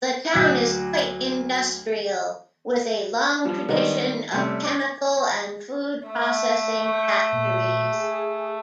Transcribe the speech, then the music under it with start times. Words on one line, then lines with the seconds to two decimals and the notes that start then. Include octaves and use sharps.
The town is quite industrial with a long tradition of chemical and food-processing factories.
0.33 D2 F#3 F#4 D6 F#6
3.45 F3 G3
3.69 D#3 G3 G#3 B3 D4
4.32 C3 G3 A3 C4 C#4
4.64 D6
6.08 A3
6.82 C#6 G6
7.32 A#2
7.92 G#4